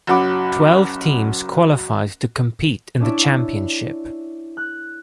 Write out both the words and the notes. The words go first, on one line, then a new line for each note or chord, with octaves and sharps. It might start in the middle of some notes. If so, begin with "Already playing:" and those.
Twelve teams qualified to compete in the championship.
F#1 F#3 F#5 B5 D6
C#4 D4 E4 C#5 D5 E5
F#6